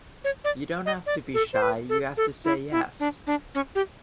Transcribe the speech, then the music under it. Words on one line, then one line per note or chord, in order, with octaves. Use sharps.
You don't have to be shy, you have to say yes.
C#5
D5
D#5
D5
A4
C5
B4
A4
A4
E4
E4
D4
D4
C#4
G4